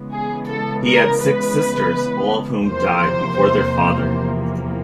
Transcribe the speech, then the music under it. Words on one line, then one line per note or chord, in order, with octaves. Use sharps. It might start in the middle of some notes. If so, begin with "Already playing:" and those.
He had six sisters, all of whom died before their father.
Already playing: C#3 E3 G#3 B3
G#4
A4
A#4
B4
E2 C3 F3 A#3 C5